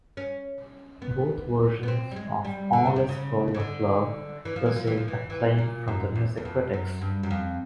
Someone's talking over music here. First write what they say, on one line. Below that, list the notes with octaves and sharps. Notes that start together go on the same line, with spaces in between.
Both versions of "All Is Full of Love" received acclaim from music critics.
C#4
B3
B3
C4
G3
G#3
G3
D3
C#3
C3
C#3
C#3
D3
E3
F3
E3
F3
E3
F3
E3
E3
A#2
F#2
E2
E2
F2
F#2
G2
F#2
F2